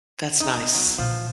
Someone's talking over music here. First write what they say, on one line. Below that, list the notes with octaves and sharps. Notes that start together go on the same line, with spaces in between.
That's nice,
D#4
B3
F#3
A#2 E3 F3